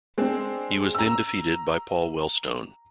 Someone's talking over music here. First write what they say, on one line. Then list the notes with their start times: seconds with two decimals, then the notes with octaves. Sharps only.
He was then defeated by Paul Wellstone.
0.18 G#3 C4 D4
0.95 A#5 E6